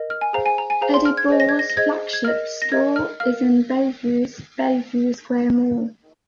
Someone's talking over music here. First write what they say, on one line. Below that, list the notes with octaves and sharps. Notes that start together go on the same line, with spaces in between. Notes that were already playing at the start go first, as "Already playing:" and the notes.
Eddie Bauer's flagship store is in Bellevue's Bellevue Square mall.
Already playing: A#4 D#5
F6
G#5
G#4 C5 F5 A#5
G#5
A#5
G#5
G#4 C5 F5 A#5
C6
F6
G#6
G#4 C5 D#5
A#6
G#6
A#6
A#6
G#4 C5 D#5 G#6
G#6
A#4 D#5 F6
A#6
A#4 D#5 G#6
F6
A#4 F5 F6